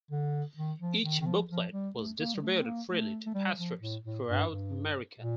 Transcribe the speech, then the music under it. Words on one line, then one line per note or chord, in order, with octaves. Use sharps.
Each booklet was distributed freely to pastors throughout America.
D3
D#3
F3
D#3
D#3
F3
F3
G3
A3
A#3
G3
A3
C4
A#3
A3
A3
G3
F3
A2
A2
G2
G2
A#2